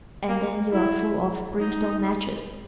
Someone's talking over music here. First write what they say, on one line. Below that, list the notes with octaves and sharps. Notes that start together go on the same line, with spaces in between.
And then you're full of brimstone matches.
A#3
E4
D#4